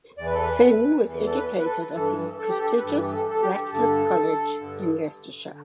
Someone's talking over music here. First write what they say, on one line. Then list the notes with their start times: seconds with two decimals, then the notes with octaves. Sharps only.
Fin was educated at the prestigious Ratcliffe College in Leicestershire.
0.18 E2 E3 D5
0.26 B4
0.34 A4
0.42 B4
1.06 E2 E3
1.27 A4
1.36 B4
1.58 B4
1.66 A4
1.95 G2 E3 A4
2.39 A4
2.49 G4
2.59 A4
2.78 B4
2.83 G2 E3 A4
3.02 G4
3.13 A4
3.30 A4
3.42 G4
3.71 G2 D3 A4
4.60 G2 D3
5.48 D3